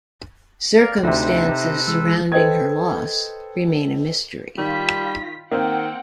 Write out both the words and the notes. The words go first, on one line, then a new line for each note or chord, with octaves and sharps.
Circumstances surrounding her loss remain a mystery.
A#4 D5 F5
D2 C3 D#4 A4 B4 C5 E5 A#5
C3
E3 G#3 E6
A4 B4 C5 D#5 G5 G#6
D#3 G3 F4 B6
D#3 A#3 C4 F#5 G5